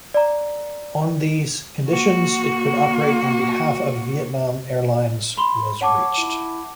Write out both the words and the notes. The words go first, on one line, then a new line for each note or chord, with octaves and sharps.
On these conditions, it could operate on behalf of Vietnam Airlines was reached.
D5 A#5
A#3 F#4
B5 C6 G7
C#5 F#5 A5 D6
E4